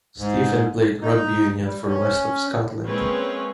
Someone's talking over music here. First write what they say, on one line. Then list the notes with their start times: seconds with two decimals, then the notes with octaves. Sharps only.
Stephen played rugby union for West of Scotland.
0.18 G#2
1.02 D#4
1.64 G3
1.87 C#4
2.85 G#3 A#3 C4 C#4 B4 C#5